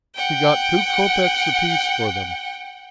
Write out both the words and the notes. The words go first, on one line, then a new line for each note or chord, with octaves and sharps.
He got two kopeks apiece for them.
F#5 G5